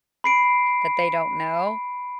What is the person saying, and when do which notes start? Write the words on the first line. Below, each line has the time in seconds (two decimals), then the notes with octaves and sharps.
that they don't know,
0.24 B5 C7 D7